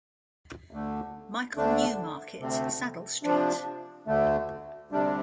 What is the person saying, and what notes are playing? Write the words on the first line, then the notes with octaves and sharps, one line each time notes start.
Michael–Neumarkt saddle–St.
D2 D3 A3
D2 D3 A3 D4
D2 C3 A3 C4
C3 F3 D4
D2 D3 A3
D2 C3 G3 D4